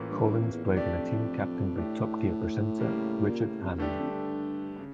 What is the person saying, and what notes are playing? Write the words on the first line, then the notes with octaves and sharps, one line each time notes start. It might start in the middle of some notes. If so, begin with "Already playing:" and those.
Collins played in a team captained by "Top Gear" presenter Richard Hammond.
Already playing: A2 E3 A#3 C#4 F4
G2
G2
F2
E2
E2
F2 A3 D4 G4 D5
A2 A3 D4 G4
C#3 G3 A#3
A#2
A2
F2
A2 D3 A3 D4 G4
G2
F2
G2
C#3